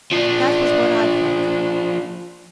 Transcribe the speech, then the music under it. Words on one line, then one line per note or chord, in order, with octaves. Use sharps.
That was what I felt.
F3 D4